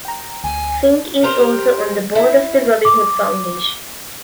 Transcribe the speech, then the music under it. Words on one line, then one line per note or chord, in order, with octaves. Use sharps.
Fink is also on the board of the Robin Hood Foundation.
G5 A#5
D2 G#5
G4 A#4 C5
E4
D6